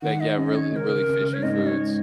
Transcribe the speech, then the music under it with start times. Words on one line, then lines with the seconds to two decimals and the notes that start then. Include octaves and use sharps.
they get really, really fishy foods.
0.02 D#3 F#5
0.20 D#5
0.37 C#4 D#5
0.55 C#5
0.72 C#3 A#4 C#5
1.08 C#3
1.33 C#5
1.42 G#2 D#5
1.66 C#5